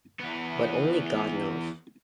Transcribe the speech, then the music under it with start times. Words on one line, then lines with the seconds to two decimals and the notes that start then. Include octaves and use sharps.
But only God knows.
0.20 E2 B3